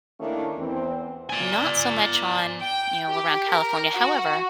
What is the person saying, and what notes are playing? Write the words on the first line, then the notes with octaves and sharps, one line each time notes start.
not so much on, you know, around California. However,
D#3 A3 A#3 C#4 D4 E4
E2 C4
D5 G#5
G5
G4
A#4
F#4